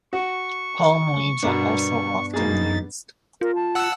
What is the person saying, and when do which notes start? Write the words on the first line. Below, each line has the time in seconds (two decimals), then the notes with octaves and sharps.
Palm leaves are also often used.
0.13 F#4 C#6
1.43 G2 B2 B3 D4 A#4
2.34 F#2 B2 A#3 D#4 G#4 A6
3.41 F4 A#4
3.55 A5
3.75 F#5 E6